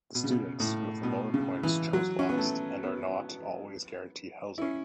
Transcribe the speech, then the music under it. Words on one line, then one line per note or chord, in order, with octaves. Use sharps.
The students with the lower points choose last and are not always guaranteed housing.
B2
C#3
B2
A2
B2
C#3
E3
F#3
C#4
B3
A3
B3
E4
C#4